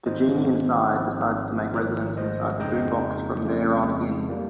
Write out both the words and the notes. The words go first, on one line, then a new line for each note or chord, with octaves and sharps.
The genie inside decides to make residence inside the boombox from there on in.
G#2 D#3 G#3 C4 D#4 C5 D#5
G#1 G#2 F3 C4 D#4
G#1 G#2 F3 A#4
C5 D#5
F2 C#3 G#3 D#4 D#5 G5
F2 C#3 G#3
G3 A#3